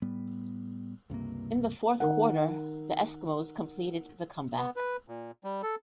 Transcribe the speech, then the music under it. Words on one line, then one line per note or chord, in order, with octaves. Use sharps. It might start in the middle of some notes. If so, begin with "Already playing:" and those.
In the fourth quarter, the Eskimos completed the comeback.
A2 G3 B3
C#2 G2 C3 A#3
D#3 A#4 F#5
B3
B4
A#2
G3
A4